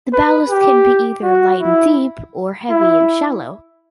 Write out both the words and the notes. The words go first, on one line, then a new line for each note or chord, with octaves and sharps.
The ballast can either be light and deep, or heavy and shallow.
B4
G4
F#4
E4
E4